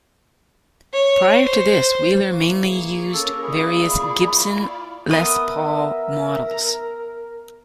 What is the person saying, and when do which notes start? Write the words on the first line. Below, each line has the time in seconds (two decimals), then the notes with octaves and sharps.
Prior to this Wheeler mainly used various Gibson Les Paul models.
0.93 C#5
1.44 C5
2.32 A#3 E4 C#6
2.60 G#4
3.13 C#4 A4 A#4
3.43 E4 F4 G#4 D5 B5
5.11 B3 A#4 E5 D#6
6.51 A#5